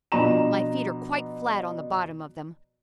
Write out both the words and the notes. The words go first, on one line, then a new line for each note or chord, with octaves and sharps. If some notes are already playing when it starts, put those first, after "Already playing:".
My feet are quite flat on the bottom of them.
B2 F3 D4 A#5 E7